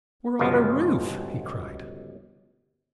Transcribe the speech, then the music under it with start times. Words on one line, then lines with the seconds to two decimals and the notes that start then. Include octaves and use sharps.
"We're on a roof!" he cried.
0.39 G1 C#2 B2 F3